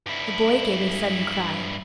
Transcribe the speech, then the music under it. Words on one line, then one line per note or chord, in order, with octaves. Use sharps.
The boy gave a sudden cry.
G2 E4